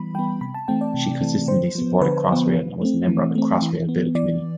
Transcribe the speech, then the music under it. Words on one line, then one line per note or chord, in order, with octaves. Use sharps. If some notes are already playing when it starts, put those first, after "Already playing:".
She consistently supported Crossrail and was a member of the Crossrail Bill Committee.
Already playing: E3 G3 B3 B5
G3 B3 G5
C3 B5
A5
E3 A3 C4 G5
D5
C3
E3 A3 C4
D3 C5
F3 B3
D3 B4
F3 B3
E3
A3 C4
E3
A3 C4
E3
B3
E3 D5